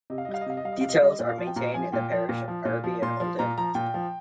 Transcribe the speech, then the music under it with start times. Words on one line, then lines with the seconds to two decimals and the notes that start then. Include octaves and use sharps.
Details are maintained in the parish of Ireby and Uldale.
0.10 C3 D#5
0.18 F5
0.25 D#5
0.29 G3
0.34 F5
0.41 D#5
0.46 C3 F5
0.57 D#5
0.65 G3 F5
0.72 D#5
0.81 C3 F5
0.89 D#5
0.96 F5
1.02 G3 D#5
1.19 A#2 D5
1.29 F5
1.38 F3
1.47 G5
1.56 A#2 A#5
1.74 F3 G#5
1.92 A#2 G5
2.12 F3
2.29 A#2
2.48 F3
2.65 A#2
2.84 F3
3.02 A#2 C6
3.20 F3
3.39 A#2 A#5
3.58 F3 A#5
3.75 A#2 G5
3.94 F3